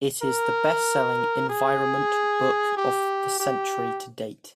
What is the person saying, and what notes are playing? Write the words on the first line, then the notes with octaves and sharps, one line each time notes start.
It is the best-selling environment book of the century to date.
A#4
G#4
G4
G4